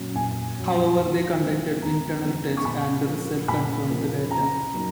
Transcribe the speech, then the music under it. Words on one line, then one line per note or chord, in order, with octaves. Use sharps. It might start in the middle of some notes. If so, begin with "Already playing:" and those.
However they conducted wind-tunnel tests and the results confirmed the data.
Already playing: A#2 F#3 C#4
A#2 G#5
F#3 C#4
D#2
C#3 F3 G#3 B3
D#2 A#5
C#3 F3 G#3 B3
C#6
A#2 B5
F3 A#3
A#2 B5
F3 A#3
C#3 A#5
F#3 A#3 D#4